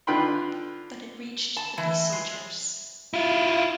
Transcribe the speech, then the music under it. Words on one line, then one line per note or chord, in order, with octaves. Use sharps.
But it reached the besiegers.
D3 F4 B4 G5 B5 C6
A5
E3
G#3
E4 F4